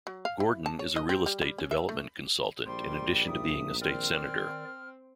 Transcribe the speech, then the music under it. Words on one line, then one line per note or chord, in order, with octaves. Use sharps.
Gordon is a real estate development consultant in addition to being a state senator.
F#3
F5
E4
A5
C#5
D#5
C4
G3
G3
C#4
E5
A3
A#1 G3 C5 C6
D2 D#4 E5 D#6
D#3 C4 A#4 D5 F6